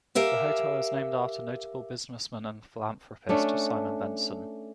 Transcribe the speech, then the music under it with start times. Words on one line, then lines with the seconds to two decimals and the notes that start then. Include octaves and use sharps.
The hotel is named after notable businessman and philanthropist Simon Benson.
0.15 G4 A#4 E5 F5 G#5
3.29 A3 C#4 D4